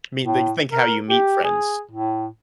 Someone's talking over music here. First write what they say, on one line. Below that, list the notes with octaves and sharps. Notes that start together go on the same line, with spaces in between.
Mean, like, think how you meet friends.
A2
A#4
G4
G#4
A2